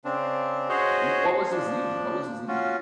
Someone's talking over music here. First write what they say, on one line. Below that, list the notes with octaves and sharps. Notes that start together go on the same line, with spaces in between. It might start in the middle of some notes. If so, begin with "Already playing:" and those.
W what was his name? What was his name?
C#3 C4 D4
F#4 G#4 C5 C#5 D#5
F3 D4
C#4 F4 F#4